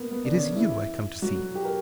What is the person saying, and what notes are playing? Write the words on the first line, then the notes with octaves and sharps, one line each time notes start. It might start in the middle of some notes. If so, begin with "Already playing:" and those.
It is you I come to see.'
Already playing: A#3 B3
B3
D4
C#3 C#4
E3 E4
F#3 F#4
G4
A#4